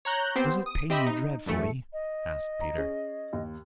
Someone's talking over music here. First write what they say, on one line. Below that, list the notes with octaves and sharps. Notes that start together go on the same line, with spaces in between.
"Does it pain you dreadfully?" asked Peter.
C#5 A#5 F#6 G6
B3 C4 G4 C5
D#6
C4 G4 D#5 E5 B5
D#4
A#1 E2 A3 C#7
D#5
A#5
C#4 G#4
D#2